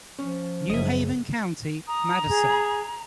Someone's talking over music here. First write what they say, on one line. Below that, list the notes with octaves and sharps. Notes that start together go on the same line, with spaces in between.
New Haven County - Madison.
F3 C#4
F#1 D#5 E5
A#5 D#6
G#4